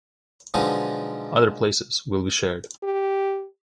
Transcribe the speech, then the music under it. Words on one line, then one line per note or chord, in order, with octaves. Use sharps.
Other places will be shared.
B1 D3 F3 G#3 D#4 D#5
G4